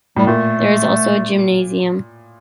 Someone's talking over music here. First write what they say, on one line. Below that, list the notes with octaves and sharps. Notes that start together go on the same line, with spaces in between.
There is also a gymnasium.
A2 G3
A#2 A3